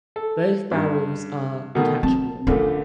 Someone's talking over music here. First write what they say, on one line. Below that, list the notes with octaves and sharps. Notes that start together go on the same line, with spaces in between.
Both barrels are detachable.
A4
G2
B2 D#3 A3
C4 A5
A#1 D3 A3 C#4 F4